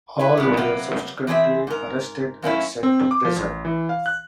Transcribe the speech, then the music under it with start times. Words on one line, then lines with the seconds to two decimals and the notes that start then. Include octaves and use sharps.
All were subsequently arrested and sent to prison.
0.19 E4 B4
0.37 A2 B3
0.57 C3 F#3 A#3 B4
1.27 E3 C4 G#4 D#5 E5
1.67 G#2 A#4
2.42 F#2 A#3 C#4 E4
2.83 C4
3.11 D6
3.25 F3
3.36 A1
3.65 E3
3.89 F5
4.06 F#6